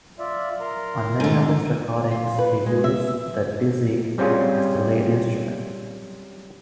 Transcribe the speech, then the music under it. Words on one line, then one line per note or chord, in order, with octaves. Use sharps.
On many of his recordings he uses the "dizi" as the lead instrument.
F4 D5 E5
A#4 A#5 C6
G#2 A3
F4
B4
G#3
E5
G3 C4 C#4 F4 G#4